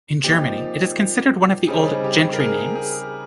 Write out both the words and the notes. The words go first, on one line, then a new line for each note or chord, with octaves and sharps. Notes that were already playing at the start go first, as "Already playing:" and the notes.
In Germany it is considered one of the old "gentry names".
A#2 F3 C4 D#4 G4
C#3 G3 C4 D#4 G#4
G4
A#4
G#4
G#4